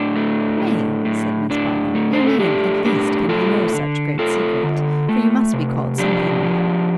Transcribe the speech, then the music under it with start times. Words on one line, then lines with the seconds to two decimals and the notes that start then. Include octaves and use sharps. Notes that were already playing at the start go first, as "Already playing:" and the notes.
'Nay,' said Miss Bydel, 'your name, at least, can be no such great secret, for you must be called something or other.'
Already playing: A2 D4
0.16 A3
0.60 A2
1.05 A2
1.50 A2 D4
1.95 A3
2.13 C5
2.27 A4
2.40 A3 D4 G4
2.85 A2 D4 G4
3.29 A3 F4 A4
3.75 D3
4.19 A3 F4 A4
4.63 D3
5.09 A3
5.53 C3
5.98 F3 D4 G4
6.44 F3